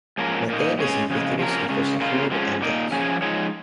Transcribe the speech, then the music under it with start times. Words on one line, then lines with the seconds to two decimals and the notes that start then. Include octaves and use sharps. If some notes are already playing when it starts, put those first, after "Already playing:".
Methane is ubiquitous in crustal fluid and gas.
0.18 G#2 F3 A#3 C#4 A#4
0.48 A#2 A#3 D#4
0.79 G#3 C#4 G#4 C#5
1.10 F2 C#3 G#3
1.39 F3 A#3 C#4 A#4
1.70 C#3 G#3 C#4
2.00 C#3 A#3 F4
2.31 F2 F3 G#3 C#4
2.62 A#2 A#3 D#4 A#4
2.92 F3 C#4 G#4 C#5
3.22 F3 G#3 D#4 C#5